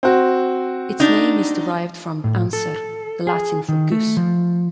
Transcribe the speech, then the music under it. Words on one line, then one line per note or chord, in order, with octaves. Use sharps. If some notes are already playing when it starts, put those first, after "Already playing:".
Its name is derived from "anser" the Latin for "goose".
C4 F#4
D4 D#4
A2
A4
G#4
D#3
A3
F3